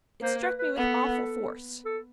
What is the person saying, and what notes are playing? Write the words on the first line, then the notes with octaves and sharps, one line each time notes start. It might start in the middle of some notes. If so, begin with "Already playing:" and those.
It struck me with awful force.
A#3 C5
B4
B4
B3 A4
A4